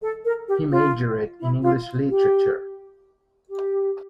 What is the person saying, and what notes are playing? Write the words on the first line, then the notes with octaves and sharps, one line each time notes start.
He majored in English literature.
A4
A#4
G4
F4
E4
F4
G4
G4